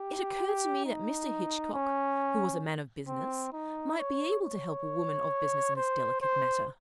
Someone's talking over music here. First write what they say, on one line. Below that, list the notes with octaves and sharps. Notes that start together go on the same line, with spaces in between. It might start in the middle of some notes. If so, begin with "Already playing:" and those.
It occurred to me that Mr. Hitchcock, who was a man of business, might be able to help a woman of business in this delicate matter.
Already playing: G4
D#4
C#4
C4
D#4
C#5
C#5
C5
C5